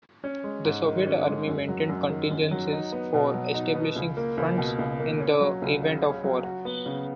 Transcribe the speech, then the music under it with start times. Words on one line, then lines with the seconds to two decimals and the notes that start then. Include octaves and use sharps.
The Soviet Army maintained contingencies for establishing fronts in the event of war.
0.24 C#4
0.44 G#3
0.65 G#2
0.85 D#3
1.07 C#4
1.27 G#3
1.48 F#2
1.68 F#3
1.89 F#2
2.10 D#3
2.31 F#2
2.51 F#3
2.72 D#4
2.92 B3
3.14 B2
3.34 F#3
3.54 D#4
3.75 B3
3.96 C#2
4.17 A#3
4.38 C#2
4.58 B2
4.79 C#2
5.00 A#3
5.20 C#4
5.40 F#3
5.62 C#2
5.82 C#3
6.03 C#4
6.24 F#3
6.44 F#4
6.65 B3
6.86 C#3